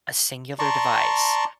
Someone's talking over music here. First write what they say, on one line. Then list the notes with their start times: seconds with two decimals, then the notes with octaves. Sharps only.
a singular device
0.59 D5 A5 A#5 C6 C#6